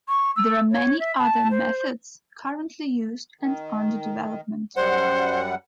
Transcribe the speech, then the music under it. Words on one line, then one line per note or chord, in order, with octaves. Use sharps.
There are many other methods currently used and under development.
C#6
E6
C#5
E5
A5
C5
D#3
F#2 G3 C5 F#5